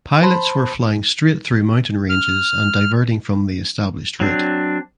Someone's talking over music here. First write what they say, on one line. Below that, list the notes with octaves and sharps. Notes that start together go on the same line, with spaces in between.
Pilots were flying straight through mountain ranges and diverting from the established route.
C5 A5 B5 C6
F6
F#3 C4 D4